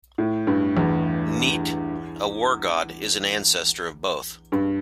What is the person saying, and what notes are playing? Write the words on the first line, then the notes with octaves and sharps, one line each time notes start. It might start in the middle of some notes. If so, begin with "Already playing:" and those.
Neit, a war god, is an ancestor of both.
A2
G2
E2
G2